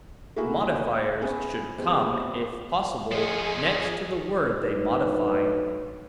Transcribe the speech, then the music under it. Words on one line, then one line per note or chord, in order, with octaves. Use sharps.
Modifiers should come, if possible, next to the word they modify.
A3 A#3 E4 F#4 G#4
B3 C#4 G#4
C3 G#3 B3 C4
F3 G#4 D#5
F#3 A3 D4 D#4 B4